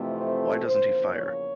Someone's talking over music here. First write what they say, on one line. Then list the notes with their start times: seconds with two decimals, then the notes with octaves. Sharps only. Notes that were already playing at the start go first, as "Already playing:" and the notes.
Why doesn't he fire?
Already playing: F2 C3 E3 A3
0.15 C5
0.64 E2 C#3 F3 A#3 C5
1.14 C#5